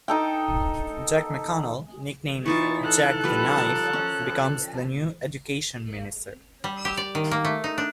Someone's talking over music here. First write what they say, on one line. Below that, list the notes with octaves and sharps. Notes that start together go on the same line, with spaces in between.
Jack McConnell, nicknamed "Jack the Knife", becomes the new Education Minister.
D#4 A4 G5
E3 D#4 F4 C#6 A6
A4 F#6
F3 G3 B4
A#4 A5
C#4
G3
G4
D5
D#3
A#3
A3
D#4
D4